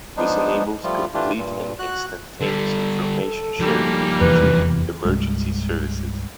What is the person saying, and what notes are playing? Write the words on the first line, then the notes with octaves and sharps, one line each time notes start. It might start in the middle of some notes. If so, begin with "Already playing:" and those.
This enables complete and instantaneous information sharing between emergency services.
F3 G#3 B3 D4 D#4
F3 G3 A3 F4
E3 A3 D4 F4 G4
G2 A#2
F#4 F#6
D3 G3 A4
F3 G3 A#3 D#4
F1 E2 E3 B4
C2 G2 G#3